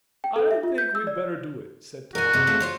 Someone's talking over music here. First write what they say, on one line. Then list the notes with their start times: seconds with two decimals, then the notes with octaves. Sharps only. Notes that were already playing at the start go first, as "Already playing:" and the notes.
"I don't think we'd better do it," said Tom.
0.24 G5
0.36 A4
0.51 E5
0.63 F4
0.78 G6
0.95 E6
1.07 D5
2.15 F#4 A#4 G#5
2.33 G#2 C3
2.47 A3 C4 F4
2.60 F4 C5 C#5